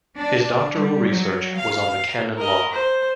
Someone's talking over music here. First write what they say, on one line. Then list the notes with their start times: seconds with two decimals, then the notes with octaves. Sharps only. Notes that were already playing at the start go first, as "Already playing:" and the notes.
His doctoral research was on the Canon Law.
0.17 D4
0.75 G3
1.11 F#3
1.60 F5
2.37 A#4 D#5
2.71 C5